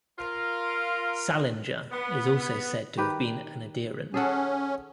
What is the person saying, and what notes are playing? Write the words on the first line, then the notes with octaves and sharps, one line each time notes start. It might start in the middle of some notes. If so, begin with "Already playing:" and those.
Salinger is also said to have been an adherent.
F4 A#4
B3
D#3 G4 B4
C#4 G#4 A4 F#5